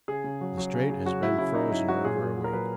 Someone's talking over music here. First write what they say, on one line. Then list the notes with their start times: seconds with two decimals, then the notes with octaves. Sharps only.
The Strait has been frozen over a week.
0.08 C#3 G#4
0.24 C#3
0.41 F#3
0.57 F#3
0.74 C#3
0.90 C#3
1.06 F#3 F#4
1.23 F#3 E4
1.38 C#3 E4
1.55 C#3 D#4
1.71 F#3 E4
1.88 F#3 F#4
2.04 A#2 G#4
2.21 A#2
2.36 F#3
2.44 A#4
2.53 F#3 B4